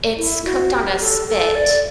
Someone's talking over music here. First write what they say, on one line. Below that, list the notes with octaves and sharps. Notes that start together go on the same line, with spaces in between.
it's cooked on a spit,
E4
F#4
G4
A4
A4
D5